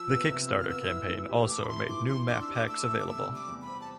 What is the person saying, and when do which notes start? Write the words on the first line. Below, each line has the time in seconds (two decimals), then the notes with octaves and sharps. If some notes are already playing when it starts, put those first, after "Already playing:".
The Kickstarter campaign also made new map packs available.
Already playing: F3 E6
0.09 B3
0.29 C3
0.48 F4
0.60 F6
0.69 B3 E6
0.89 E4
1.09 E3
1.29 G4
1.48 A3 D6
1.62 B5
1.68 E4 C6
1.89 E3 D6
2.08 E3 C6
2.29 D4 D6
2.41 E6
2.49 G4 D6
2.69 A3 E6
2.88 A3
2.99 D6
3.08 C3 E6
3.28 G3
3.36 D6
3.48 E2
3.62 B5
3.68 C4
3.81 A5